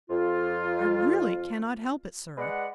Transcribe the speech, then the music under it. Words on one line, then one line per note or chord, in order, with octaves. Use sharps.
I really cannot help it, sir.
F2 F4
G#3 B4 D5 F#5